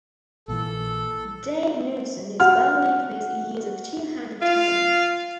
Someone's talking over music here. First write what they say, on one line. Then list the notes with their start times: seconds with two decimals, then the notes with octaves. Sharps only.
Dave Knudson is well known for his use of two-handed tapping.
0.48 A#1 A#2 E3 A4
2.40 F#4 F#5 F6
4.42 F4 F5